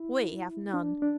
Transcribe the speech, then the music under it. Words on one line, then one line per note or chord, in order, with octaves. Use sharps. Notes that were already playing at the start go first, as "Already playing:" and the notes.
We have none.
Already playing: E4
D4
D4